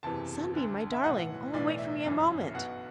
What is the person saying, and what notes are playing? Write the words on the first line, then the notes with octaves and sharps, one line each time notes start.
'Sunbeam, my darling--only wait for me a moment.'
F#1 E2 C3 E3 A5
D2 D3
E5
B1 A2 E3 F#5
B1 A2 E3 D5
E5
G1 F#2 E3
B1 B2 F#5